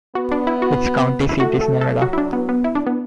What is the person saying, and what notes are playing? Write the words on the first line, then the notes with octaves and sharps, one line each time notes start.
Its county seat is Nevada.
B3 F#4
D4
E4
F#4
E4
A3 F#4
A4
A4
F#3 F#4
E4
D4
B3
B3
E4
D4
B3